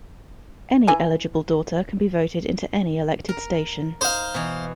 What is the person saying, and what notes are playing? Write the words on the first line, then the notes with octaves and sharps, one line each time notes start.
Any eligible daughter can be voted into any elected station.
E3 G#5 A#5
A#4
D#4 C5 F5
B2 E3